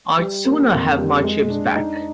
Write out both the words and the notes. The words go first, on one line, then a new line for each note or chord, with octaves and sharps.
I'd sooner have my chips back.
G3
A#3
F2
G3
G#3
D4
D#4